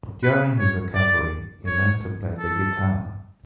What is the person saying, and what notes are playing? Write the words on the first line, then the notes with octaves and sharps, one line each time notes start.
During his recovery he learned to play the guitar.
B4
C#5
D5
C#5
A4